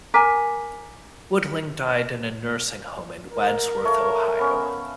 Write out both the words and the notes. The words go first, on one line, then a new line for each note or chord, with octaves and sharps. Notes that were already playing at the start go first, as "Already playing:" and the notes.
Woodling died in a nursing home in Wadsworth, Ohio.
A#4 G#5 A#5 D6 B6
A#4
A3 C#5 F5
B3 C#4